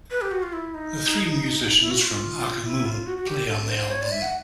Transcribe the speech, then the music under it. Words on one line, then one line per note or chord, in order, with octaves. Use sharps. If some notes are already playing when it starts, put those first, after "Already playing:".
The three musicians from Aka Moon play on the album.
B4
G4
F#4
F4
E4
D#4
E4
F#4
F4
E4
F4
F#4
F#4
G4
A4
C5
C#5
D5
E5
F#5